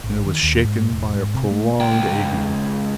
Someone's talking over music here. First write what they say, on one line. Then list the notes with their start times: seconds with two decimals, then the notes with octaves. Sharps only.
Then it was shaken by a prolonged ague.
0.04 A1
0.25 D#3
0.43 D#2
0.64 G#2
0.91 E1
1.14 G#2
1.34 C3
1.51 A3
1.80 C#2 G5